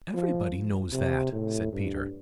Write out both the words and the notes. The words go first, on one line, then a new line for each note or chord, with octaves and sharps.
"Everybody knows that!" said Peter.
F3
C3
A2
G2